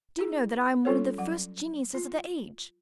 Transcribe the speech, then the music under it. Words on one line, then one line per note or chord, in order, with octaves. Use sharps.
Do you know that I am one of the first geniuses of the age?
E4 G#4
G3 C#4 F4 A4 C#5
F#3 F#5
F4